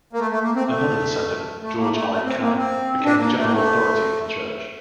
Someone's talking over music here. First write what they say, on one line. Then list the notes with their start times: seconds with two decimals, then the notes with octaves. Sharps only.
Another descendant, George I. Cannon, became a general authority of the church.
0.13 A#3
0.19 A3
0.31 A3
0.42 A#3
0.55 C4
0.67 A3
1.62 A3
1.78 A#3
1.93 A3
2.10 A3
2.24 C4
2.41 A#3
2.56 C4
3.04 D4
3.19 A#3
3.36 A3
3.44 A#3
3.53 A3